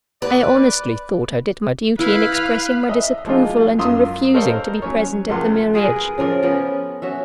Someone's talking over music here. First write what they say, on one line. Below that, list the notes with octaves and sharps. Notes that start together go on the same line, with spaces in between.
I honestly thought I did my duty in expressing my disapproval, and in refusing to be present at the marriage.
B4 D5
E4 B4 F5
D#5 E5
F3 G#3 D4 D#4 F4
F#2 F4 F5 C6 D#6 E6
A4 A#4 C5 C#5 D#5 F5
F#3 C#4 C#5
C#2 F3 A#4 F#5 C6
F4 G#4 A#4 B4
G#4
C#3 F3 A#4 D5
F3 B3 C#4 A#4
C#4 F#4 E5